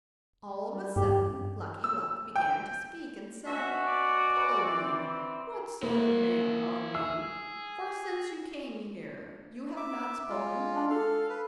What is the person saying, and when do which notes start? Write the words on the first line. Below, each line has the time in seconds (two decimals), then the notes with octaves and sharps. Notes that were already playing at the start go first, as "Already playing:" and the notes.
All of a sudden Lucky Luck began to speak and said: 'Tell me, what sort of man are you, for since you came here you have not spoken a word?'
0.71 G3
0.96 G2 G4
1.84 E6
2.36 G5
3.46 B2 C#4 F#4 E5
3.87 D5
4.64 E3 C4
5.83 A#3 E4 F#4
6.95 G#4 E6
9.77 E5 D6
10.29 G#3 F4
10.75 D4
10.90 A4 F5
11.29 B4